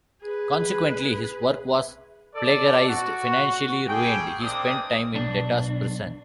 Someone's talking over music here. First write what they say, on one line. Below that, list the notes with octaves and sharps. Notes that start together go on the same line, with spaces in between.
Consequently, his work was plagiarised; financially ruined, he spent time in debtors' prison.
G#4 B4
A4 D5
F#4
G3 A3 G#4 G5
A#3 C4 D4 D#4 D6 D#6
B1 D4